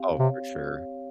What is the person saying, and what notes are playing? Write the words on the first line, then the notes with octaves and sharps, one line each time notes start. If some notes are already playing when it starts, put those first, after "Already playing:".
Oh, for sure.
Already playing: C4 G4 F5
C3 C#5